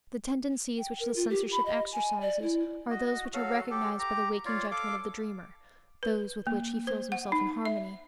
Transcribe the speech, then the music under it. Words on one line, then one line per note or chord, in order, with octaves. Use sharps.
The tendencies which the censorship exercises are those which are recognized by the waking judgment of the dreamer, those with which he feels himself in harmony.
G5
A#4
F4
G4
B5
D#5
G#5
D5
E4
F#4 D#5
F#3 F#4 A4 F5
G4 A4
G4 A#5
F4 C#5 D5 F5
A4 F5 D6
B4
A#3
C5
F#5
D#4
E5